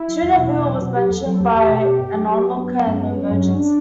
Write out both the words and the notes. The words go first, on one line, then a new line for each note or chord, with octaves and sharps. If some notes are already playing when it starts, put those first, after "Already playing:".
Toonerville was mentioned by an onlooker in the Emergency!
Already playing: E4
F#3
E2
B2
E2
F#3
B2 F#4
F#3 G4
E2 A4
F#3 A4
E2 G4
E2
B2
B2
G2
F#3
F#3
G2
F#3 B3
F#3 B3
G2 C#4
F#3 B3
F#3 C#4
G2 C#4
G2
D4